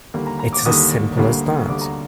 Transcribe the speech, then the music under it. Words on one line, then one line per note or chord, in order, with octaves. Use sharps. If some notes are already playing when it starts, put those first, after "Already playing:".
It's as simple as that.
D#2 D3 G3 A#3
A#5
A#5
D6
D#2 D3 G3 A#3 D#6
D2 D3 G3 A#3
D2 D3 G3 A#3 D6
A#5